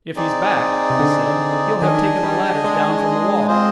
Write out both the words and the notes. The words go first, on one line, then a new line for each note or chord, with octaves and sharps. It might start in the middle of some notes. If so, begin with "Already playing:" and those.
"If he's back," I said, "he'll have taken the ladders down from the wall."
C4 D#4 G#4 D5
C3
D3
D#3 D4 G#4 D#5 G#5
G3
G#3
C4 F4 G#4 C5 D#5